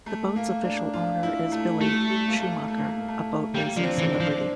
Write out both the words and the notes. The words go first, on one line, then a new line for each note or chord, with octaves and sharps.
The boat's official owner is Billy Schumacher, a boat racing celebrity.
A3
A#3
D4
F4
E4
A3
G3 A3
G3
A#3
A3
A3
A#3
A3
A#3
A3
G3 A#3
F3 D4
C4
E3
D4
F3